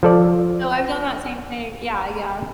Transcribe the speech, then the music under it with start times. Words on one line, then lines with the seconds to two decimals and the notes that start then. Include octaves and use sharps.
Oh, I've done that same thing. Yeah. Yeah
0.03 F3 A4 D5